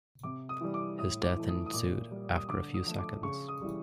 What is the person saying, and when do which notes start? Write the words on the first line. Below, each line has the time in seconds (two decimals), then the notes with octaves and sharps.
His death ensued after a few seconds.
0.23 C3 D6
0.49 D#6
0.61 E3 G3
0.74 D6
0.99 A2 D#6
1.23 D6
1.36 E3 A3
1.49 D#6
1.66 D#6
1.73 A#2 D6
2.11 G3
2.37 D#6
2.49 D3 D6
2.74 D#6
2.86 F3 A3
2.99 D6
3.23 C#3 C#6
3.48 D#6
3.61 E3 G3